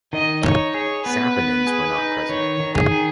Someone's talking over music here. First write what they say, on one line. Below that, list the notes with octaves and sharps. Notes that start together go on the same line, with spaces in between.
Saponins were not present.
D#3 D#5
D#4 C#5
G#4 C#5
B3 B4
B3
G#4
D#4
D#3 C#5
D#3
G#4
D#3